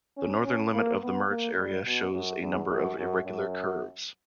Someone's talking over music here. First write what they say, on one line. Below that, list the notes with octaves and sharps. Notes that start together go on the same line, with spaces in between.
The northern limit of the merged area shows a number of irregular curves.
C#4
C#4
A#3
B3
A#3
G3
B2
F#2
E2
F#2
F#2
F#2